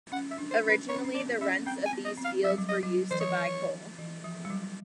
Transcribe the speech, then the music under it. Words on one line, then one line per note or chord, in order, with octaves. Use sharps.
Originally the rents of these fields were used to buy coal.
C#4 F#5
E5
D4
C5
C#4
B4
C4 C#5
C#4
C4
B3 D5
C#4 E5
C4 G5
G#5
B3
D#5
C4
F5
F#3 E5
G3
F#3
D#5
F#3
E3 C5
F3 C#5
E3
F3
G3
F#3